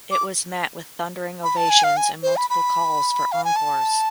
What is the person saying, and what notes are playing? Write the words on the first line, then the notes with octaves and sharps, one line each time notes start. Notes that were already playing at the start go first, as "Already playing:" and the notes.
It was met with thundering ovations and multiple calls for encores.
D6
B5
A5
G#5
F5
G#5
C5
B5
B5
F5
G#5
A5